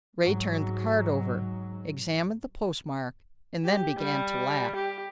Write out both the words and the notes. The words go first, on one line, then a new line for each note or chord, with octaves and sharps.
Ray turned the card over, examined the postmark, and then began to laugh.
G#2 F#3
G4
G3
G4